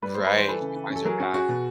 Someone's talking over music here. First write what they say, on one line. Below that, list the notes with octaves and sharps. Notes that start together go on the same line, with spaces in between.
Right. She finds her path.
G3 B4
G3 C5
B4
E3
C5
E3 A4 B4
C#3
E3
C#4
A4
F#3 G#4 A#4
C#4 F#4
C#4 F#4 G#4
B2